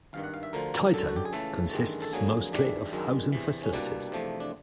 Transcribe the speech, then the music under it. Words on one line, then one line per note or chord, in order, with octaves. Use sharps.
Titan consists mostly of housing facilities.
G#1 G2 D#3 F5
F#5
F5
E5
D2 D3 F3 A#4
F#2 D3 F#3 A4
F#4
G4
G#4
C#2 C#3 E3 A3 A4
A1 G2 D#3 G#3
A4
F2 D3 F#3 A#3 G#4
G#1 G#2 E3 G3 D4
F#2 D#3 G#3
E2 C3 E3
C#4
C2 B2 G3 A#3 D4
E2 C3 F3 A3
D4